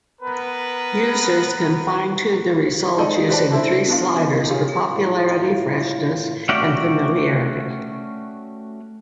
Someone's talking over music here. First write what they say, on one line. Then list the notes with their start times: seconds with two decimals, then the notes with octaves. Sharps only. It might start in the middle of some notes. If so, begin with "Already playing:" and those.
Users can fine tune the results using three sliders for "popularity", "freshness" and "familiarity".
0.21 B3 A#4 B4
2.98 G#3 D#4 A4 D5 D#5
3.28 G4 B4 C5 D5 A5
3.50 D4 E4 A4 C5
3.87 B3 D4 F4
4.16 D#3 B3
4.49 D#4 F4 G4 G#4 C#5
4.86 A2 F4
6.49 A3 C#4 F#4 G4 D5